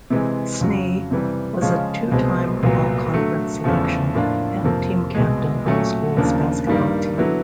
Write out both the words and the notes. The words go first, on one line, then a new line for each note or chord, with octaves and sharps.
Snee was a two-time All-Conference selection and team captain on the school's basketball team.
C3 E3 G#3
F2 C#3 F#3
C3 E3 G3
C#3 F3 G#3 C#4 F4
C2 B2 G#3 C4
C2 A#2 F#3 B3
D3 F#3 A3
E2 C#3 F3 A3
A2 F3 A#3 D4 F4
F2 C3 F3 A#3
C2 B2 G#3
A#2 F#3 A3 C#4
D#2 C#3 F3 A#3 D4
G2 D#3 G3 A#3
D3 F#3 B3 E4